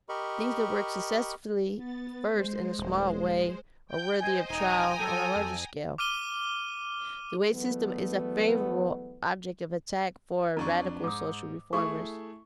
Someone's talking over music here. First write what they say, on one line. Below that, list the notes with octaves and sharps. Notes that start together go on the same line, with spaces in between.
Things that work successfully first in a small way are worthy of trial on a larger scale. The wage system is a favorite object of attack for radical social reformers.
G4 A#4 D#5 B5 C#6
B3 A6
G#3 C5
D#1
G5 G6
C5 D#5 G#5
E1 D#4 G5 G#5 A#5 D#6
F#3 A4
F2
D6 F6 D#7 G7
E2 F#3 G3 A3 B3
F2 D4 A#5 C#6
G#2 D6 D#6
A3 E4 G#4 C#6